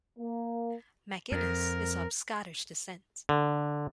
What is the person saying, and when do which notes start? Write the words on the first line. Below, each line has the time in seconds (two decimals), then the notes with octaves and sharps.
MacInnis is of Scottish descent.
0.18 A#3
1.32 F2 A#4
3.29 D3